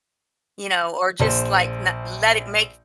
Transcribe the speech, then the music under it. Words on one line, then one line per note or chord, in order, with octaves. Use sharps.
you know, or just, like, na letti maki
A#1 C5